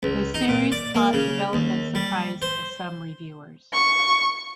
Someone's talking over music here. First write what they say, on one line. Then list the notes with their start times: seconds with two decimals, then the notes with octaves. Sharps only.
The series' plot development surprised some reviewers.
0.03 C#2
0.34 D#4
0.48 A#2
0.72 D5
0.95 A#3
1.13 C#3
1.53 D#2
1.95 G3
2.42 C5
3.73 C#6